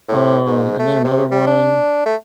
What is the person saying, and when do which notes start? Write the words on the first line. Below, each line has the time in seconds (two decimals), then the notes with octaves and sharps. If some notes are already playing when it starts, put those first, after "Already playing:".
um, and then another one
0.08 A2
0.46 G#2
0.79 A3
1.04 C3
1.31 G3
1.47 D4
2.06 A3